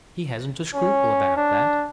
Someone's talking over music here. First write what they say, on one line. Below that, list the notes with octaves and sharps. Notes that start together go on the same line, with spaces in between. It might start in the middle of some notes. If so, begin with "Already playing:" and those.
He hasn't a scruple about that.
C#4
D4